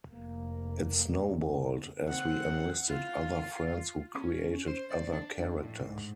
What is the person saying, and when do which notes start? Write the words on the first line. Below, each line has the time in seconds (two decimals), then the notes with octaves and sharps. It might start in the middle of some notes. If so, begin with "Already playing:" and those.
It snowballed as we enlisted other friends who created other characters.
0.12 F1 A#3
2.08 C4 F#5
2.88 F4
4.15 C#4
4.67 C5
4.91 D5
5.13 D4
5.41 F2
5.63 A2
5.80 G#2